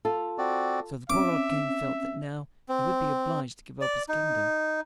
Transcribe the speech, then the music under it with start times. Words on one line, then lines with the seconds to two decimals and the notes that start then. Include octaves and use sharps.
So the poor old King felt that now he would be obliged to give up his kingdom.
0.05 F4 A4
0.38 C4 F#4 D5
1.10 C4 C#4 E5 D6
2.69 C4
3.81 D5
4.09 D#4